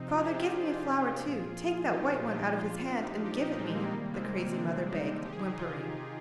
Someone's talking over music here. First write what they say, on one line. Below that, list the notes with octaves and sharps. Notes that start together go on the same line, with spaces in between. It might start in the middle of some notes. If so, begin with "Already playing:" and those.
"Father, give me a flower, too; take that white one out of his hand and give it me," the crazy mother begged, whimpering.
Already playing: C3 F3 C4 D#4
D4 F4
G#4
D#4 G4
F4 G#4
A#2 F3
D#4 G4
D4 F4
A#2 F3 D4 F4
D4 F4
D#4 G4
D#4 G4
D#4 G4
G#3 C4
G3 A#3
C3 D#3 G3 A#3
G#3 C4
G#3
G3 A#3
D4
G#3 C4
D4
C4 D#4
C3 D#3 G4 G#4
D#4 G4
F4 G#4